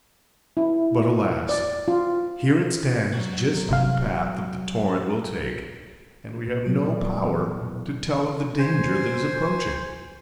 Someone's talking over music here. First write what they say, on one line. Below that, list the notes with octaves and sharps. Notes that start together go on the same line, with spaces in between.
But, alas! here it stands, just in the path that the torrent will take, and we have no power to tell of the danger that is approaching.
E4
D5
F4
F#3 F#4
G1 C3 F5
A#2
F#3
D5
B3
E3
B2
C5 G#5